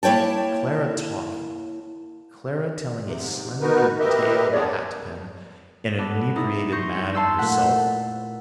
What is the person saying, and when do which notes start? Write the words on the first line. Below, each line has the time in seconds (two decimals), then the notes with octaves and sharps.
But Clara talking, Clara telling a slender tale of a hatpin and an inebriated man and herself....
0.03 A#3 E4 C#5 G5 A5
3.01 G#2 C3
3.61 B3 D#4 F#4 A#4 B4
3.99 G4 A#4 B4 D#5 E5
4.52 G#3 B3 D4 G#4 C#5 D5
4.70 C3
5.98 B3 A4 B4 D5
6.36 D#4 E4 D5
6.72 C6 C#6 G6 A#6 C#7
7.14 A5 C6 E6
7.38 A#2 A3 F#5 B6